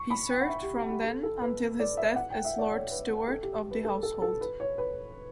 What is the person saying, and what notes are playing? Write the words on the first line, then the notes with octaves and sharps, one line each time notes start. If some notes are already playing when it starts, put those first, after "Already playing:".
He served from then until his death as Lord Steward of the Household.
Already playing: C#6
B5
G5
F#5
E5
G4
G4
G4
A4
A4
B4
D5
E5
F#5
G5
E5
D5
C#5
B4
B4
A4
G4
B4
A4
A4
A4
B4
C#5
B4